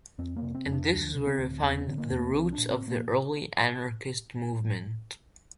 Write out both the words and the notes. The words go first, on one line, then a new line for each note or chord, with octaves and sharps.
And this is where we find the roots of the early anarchist movement...
F2 C4
A#3
C3
C4
F2
D4
D2 D4
C3
C4
D2
E2 C4
C4
D3
A#3
E2
A#3
C2 C4
D4
A#2
C4
A#2
A#3